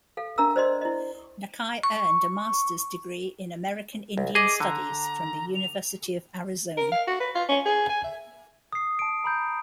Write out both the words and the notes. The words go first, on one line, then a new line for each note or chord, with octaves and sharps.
Nakai earned a master's degree in American Indian studies from the University of Arizona.
A4 F5
D4 A#4 E5 A#5 E6
C5 D5 D#5 C6
E4 D#5
C#6
C2
G#4 D#5 D6
D3 A#5
F7
A#4
F5
F#4
B4
F4
C#4
G#4
G#5
E5
D#6 C7
A5 D7
A#5 B5 G6